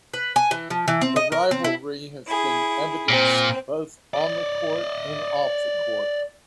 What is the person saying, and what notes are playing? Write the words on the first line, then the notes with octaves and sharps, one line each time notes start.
The rivalry has been evidenced both on the court and off the court.
B4
G#5
E3
F3
E3
C4
D#5
A#4
C4
E4
E4 G#4
A#2 C4
D5 D#5